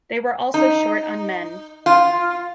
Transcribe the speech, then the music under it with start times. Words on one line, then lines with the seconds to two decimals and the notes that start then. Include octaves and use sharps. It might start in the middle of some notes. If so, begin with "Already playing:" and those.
They were also short on men.
0.54 D#4
1.86 F4